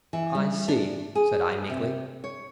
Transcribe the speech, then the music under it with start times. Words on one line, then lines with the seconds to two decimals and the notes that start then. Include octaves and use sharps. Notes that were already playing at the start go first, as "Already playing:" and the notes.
"I see," said I, meekly.
0.13 E3
0.35 G3
0.68 D4
1.15 G#4
1.70 C3
2.24 C#5